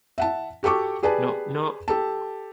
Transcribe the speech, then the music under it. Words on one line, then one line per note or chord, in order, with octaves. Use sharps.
Knock, knock.
E5 F#5 A5
F#4 G4 A4 C#6 D6
G4 G#4 B4 D5 G#5 A5
G4 A4 A5